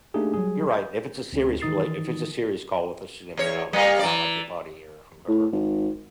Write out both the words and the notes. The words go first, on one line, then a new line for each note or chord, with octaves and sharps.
You're right. If it's a serious rela if it's a serious call with a significant other, it's not like your buddy, or whomever,
A3 A#3 D4 D#4 G4 G#4
F#3 G3 G#4
G6
D2 C4 C#4
D#3 E3 D#4 D#6 A6 C7
E2 C#5
G3 A#3
E3 D5
A2
G#1